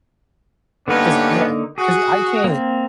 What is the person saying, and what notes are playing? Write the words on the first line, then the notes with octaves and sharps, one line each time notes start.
'cause, yeah 'cause I can't
G2 D3 A#3 B3 C#4 D#4
F#4 G#4
A#3 C4